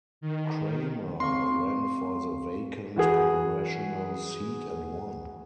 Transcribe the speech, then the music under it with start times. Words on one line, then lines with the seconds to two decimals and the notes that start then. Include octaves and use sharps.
Cramer ran for the vacant Congressional seat and won.
0.21 D#3
1.20 C4 F5 C6 C#6
2.96 E3 F#4 G#4